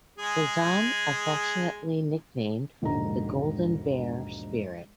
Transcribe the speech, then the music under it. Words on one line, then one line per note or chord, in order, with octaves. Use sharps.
Bazan affectionately nicknamed the Golden Bear Spirit.
G#3 G#4
E1 A#1 G#2 D3 A#5